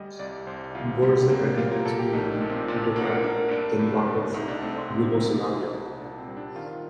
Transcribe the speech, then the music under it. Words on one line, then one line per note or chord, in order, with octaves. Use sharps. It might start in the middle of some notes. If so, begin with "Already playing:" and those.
Burzan attended school in Titograd, then part of Yugoslavia.
Already playing: D2 G3 D#5
C2 D5
C2 C5
C2 F4
G3 G4
A#3
G3 F4
A#4
A#3 A4
G4
A#1 D#4
D4
A#2
C4
A#2 D4
A#3 D4
D4
A#3 D4
G2 D4
G2
D3
C2 D#4
D4
A3 C4
D4
C3
C3
C2
C2
A#2 D4
C4
G3
D4
D#3 F4